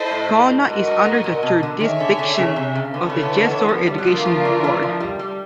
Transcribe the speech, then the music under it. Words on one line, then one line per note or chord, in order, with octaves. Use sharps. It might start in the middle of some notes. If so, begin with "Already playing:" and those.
Khulna is under the jurisdiction of the Jessore Education Board.
Already playing: E4 A4 C5 D#5
A2
G#2 F#4 A#4 D#5
G2
G#2
A#2
B2
D3
D#3 G#4 C#5 E5
D3
D3
C#3
C3
C#3
D3 B3 E4 A4 C#5
C#3
D3
D#3
E3
F3
G3
F#3
F3 A3 D4 F4 A#4
E3
F3
E3
E3
F3
G3
G3